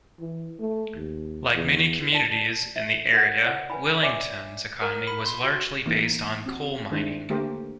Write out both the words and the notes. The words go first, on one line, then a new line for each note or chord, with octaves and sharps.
Like many communities in the area Willington's economy was largely based on coal mining.
E3
A3
D#2
E2
D5 A5
E5
F#4 A#4 C5 C#5 F#5
C#5 D5 F#5
B4 G#5 B5
C#5 D5 E5 G#5 D6
A#4
B5
C6
F#4
E3 A#3 D#4
C4 F#4
D#3 G#3 D4 E4 C5
D3 A3 A#3 G4 A#4 C5